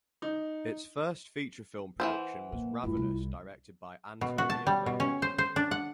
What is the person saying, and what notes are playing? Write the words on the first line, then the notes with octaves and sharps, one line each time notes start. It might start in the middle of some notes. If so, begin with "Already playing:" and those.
Its first feature film production was "Ravenous", directed by Antonia Bird.
D#4
E3 F3 C5 F#5
A#2 A#3
D1 G2 E4 F4
C2
B2
F#4
A5
G3
B2
C#4
C5
C5
D4
F#5